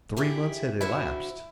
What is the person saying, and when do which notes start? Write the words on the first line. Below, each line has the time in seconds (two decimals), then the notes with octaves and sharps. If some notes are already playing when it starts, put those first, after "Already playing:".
Three months had elapsed.
0.17 E4 G4 G#4
0.81 D3 E4 F#4 C5